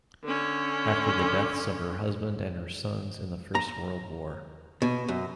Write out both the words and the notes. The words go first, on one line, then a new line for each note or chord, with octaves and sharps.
After the deaths of her husband and her sons in the First World War.
D3 C#4
A#5
B2
F#2